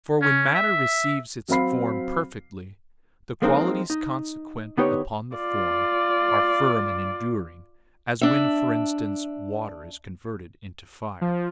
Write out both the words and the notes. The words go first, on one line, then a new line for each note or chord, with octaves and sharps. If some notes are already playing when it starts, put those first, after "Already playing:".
For when matter receives its form perfectly, the qualities consequent upon the form are firm and enduring; as when, for instance, water is converted into fire.
C#4
E5
F#3 C4 F5 B5 C7
F3 G#3 A#3 C4 D4 D#4
D#4
D3 B3 D#4 G4 B4 C#5
F4 D5
D4 E5
F3